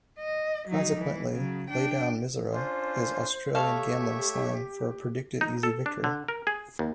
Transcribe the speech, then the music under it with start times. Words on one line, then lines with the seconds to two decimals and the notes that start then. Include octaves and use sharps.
Consequently, 'lay down misere' is Australian gambling slang for a predicted easy victory.
0.19 D#5
0.68 F#3 D#4
0.98 E3
1.32 C#3 F#3
1.69 D4 G5
2.53 C#4 D4 F4 C5
3.55 A3 G4 A4 C#5 E5 F5
5.41 D#4
5.63 A4
5.86 D4
6.04 D3
6.28 A#4
6.47 G#4
6.79 D#2